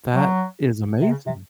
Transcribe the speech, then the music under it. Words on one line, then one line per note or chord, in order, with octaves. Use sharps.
That is amazing.
F#3
C3
C#3
C3